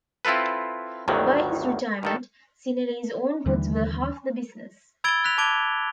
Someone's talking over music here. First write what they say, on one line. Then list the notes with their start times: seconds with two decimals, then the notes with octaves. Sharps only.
By his retirement, Cinelli's own goods were half the business.
0.25 C4 E4 F4 A4 B4
1.08 G1 D2 G2 D3 D#3 F#3
2.03 G2 D#3 A4
3.46 D#2 D3 E3 G3
5.04 B5 E6 G#6 A6 D7 G7
5.24 F#6 B6 F7
5.38 A5 D6 F#6 G#6 D7 G7